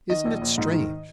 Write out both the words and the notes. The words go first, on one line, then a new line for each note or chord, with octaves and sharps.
Isn't it strange?
D#3 D#5
A#1
A#1
G#2
D#3